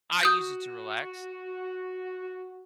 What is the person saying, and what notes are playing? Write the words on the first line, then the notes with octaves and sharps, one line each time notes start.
I use it to relax.
F#4 D#6 G6